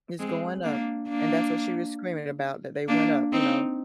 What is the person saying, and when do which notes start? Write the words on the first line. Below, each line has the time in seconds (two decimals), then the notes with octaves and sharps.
It's going up and that's what she was screaming about that they went up, you know,
0.19 G#3 C4
0.64 A#3 D4
1.09 A#3 D4
2.88 A#3 D4
3.32 C4 D#4